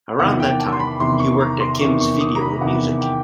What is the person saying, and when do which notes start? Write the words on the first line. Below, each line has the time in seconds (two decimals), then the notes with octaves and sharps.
Around that time, he worked at Kim's Video and Music.
0.19 E2 C3 D#3 F#5
0.40 G5
0.60 A5
0.72 C6
0.79 B5
1.00 E2 C3 D#3 C6
1.20 C#6
1.40 A#5
1.61 C6
1.80 E2 C3 D#3 C#6
2.01 C#6
2.21 D#6
2.35 A#5
2.41 B5
2.61 E2 C3 D#3 F#5
3.01 G5